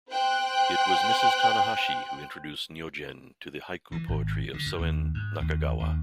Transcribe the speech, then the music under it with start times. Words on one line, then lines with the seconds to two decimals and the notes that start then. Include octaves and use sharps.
It was Mrs. Tanahashi who introduced Nyogen to the haiku poetry of Soen Nakagawa.
0.10 C5 G5 F#6
3.92 E3
4.08 G#1
4.54 D3
4.66 F#2
4.78 D#2
5.14 G#2
5.40 D#2
5.80 D#2